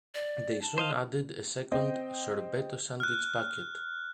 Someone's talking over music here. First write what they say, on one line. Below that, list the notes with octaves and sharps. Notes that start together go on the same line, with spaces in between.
They soon added a second, "Sorbetto Sandwich Packet".
D5
A5
C5 D#5 F5
C4 D#5 G5
F6 F#6